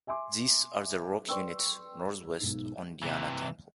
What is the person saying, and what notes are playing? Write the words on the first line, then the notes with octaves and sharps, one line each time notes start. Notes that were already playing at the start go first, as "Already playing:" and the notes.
These are the rock units northwest on Diana Temple.
E5 G#5 C6 D6
B4 D5 G5 C6 C#6 E6
B1 G#2
C3 E3